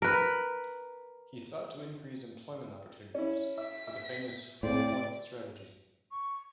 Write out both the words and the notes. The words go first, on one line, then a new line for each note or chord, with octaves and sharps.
He sought to increase employment opportunities with a famous four-point strategy.
A#4 B4
C#4 E4
E5 B6
E5
A2 C4 D5
C#6